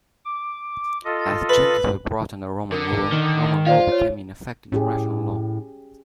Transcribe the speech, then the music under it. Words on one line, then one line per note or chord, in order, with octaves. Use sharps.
As "gentes" were brought under Roman rule, Roman law became in effect international law.
D6
F4 A4 D#5
B4
D3 A#4
D#3
F4 C5 D5 F5
C#5
A2 C#4 G4 G#4